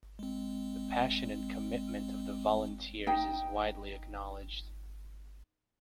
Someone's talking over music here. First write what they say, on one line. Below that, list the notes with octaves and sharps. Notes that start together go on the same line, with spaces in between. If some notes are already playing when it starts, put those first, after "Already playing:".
The passion and commitment of the volunteers is widely acknowledged.
G#3 C4
D#4 G5